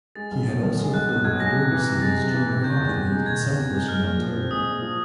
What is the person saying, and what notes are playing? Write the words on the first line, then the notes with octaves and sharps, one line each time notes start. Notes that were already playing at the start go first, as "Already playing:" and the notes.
He had also courted the Border Cities Junior Hockey League in Southwestern Ontario.
G#3 A6
B1
B2
B1
G#3
B1 F#6
B2 F#6
B1 G#6
G#3 A#6
C3
E3
C3
G#3 A6
C3
E3
C3
D#3 G6
E2
C3
G#3
D#3 G#6
E2
C3
G#3
G#3 F6
A#2
F3
C4
G#3 D#6
A#2
F3